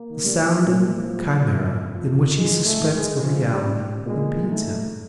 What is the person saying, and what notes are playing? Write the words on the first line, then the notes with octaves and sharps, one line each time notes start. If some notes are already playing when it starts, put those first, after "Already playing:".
The surrounding chimera, in which he suspects a reality, impedes him.
Already playing: A#3
D#3
G3
E3
A#2 E3
F3
F#3
F2
F3
G#2 G#3
A3
G#2
G#3
C#3 F3
G3
C#3
A#2 G#3
A3 D#4